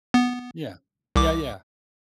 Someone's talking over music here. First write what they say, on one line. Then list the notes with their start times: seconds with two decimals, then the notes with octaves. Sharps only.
Yeah. Yeah, yeah.
0.14 B3
1.16 C2 D6